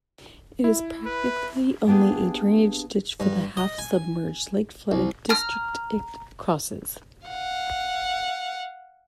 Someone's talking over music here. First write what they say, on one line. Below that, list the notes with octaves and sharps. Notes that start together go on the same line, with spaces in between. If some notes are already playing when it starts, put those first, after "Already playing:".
It is practically only a drainage ditch for the half-submerged, lake-flooded district it crosses.
E4
B4
A#3 B3 D4 G4 G#4
G2
D#5
G#5
C2
A#5 F6
F5 F#5